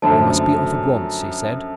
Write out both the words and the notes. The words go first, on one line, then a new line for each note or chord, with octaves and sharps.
"We must be off at once," he said.
F#2 D3 F3 A3 A5